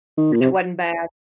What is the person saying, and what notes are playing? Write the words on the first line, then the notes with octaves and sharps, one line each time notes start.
And it wasn't bad.
D#3
A#2
C3